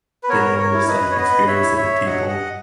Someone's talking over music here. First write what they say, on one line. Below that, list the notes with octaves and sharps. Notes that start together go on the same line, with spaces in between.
being able to just like experience it with people,
B4
B3 A#4 C#5
A#4 C#5
E4
B4 D#5
C#5
B3 B4 D#5
C#5 E5
E4
C#5 E5
F#3 D#5 F#5
D#5 F#5